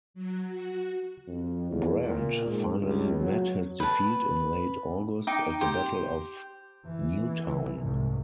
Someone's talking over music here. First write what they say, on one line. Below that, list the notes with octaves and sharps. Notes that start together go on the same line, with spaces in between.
Brant finally met his defeat in late August at the Battle of Newtown.
F#3
F#4
F2
E2
A#2
G#2
C#2
F#3
B4 A5
D#4 G5 D6
G4 C5
E3
C2 G#2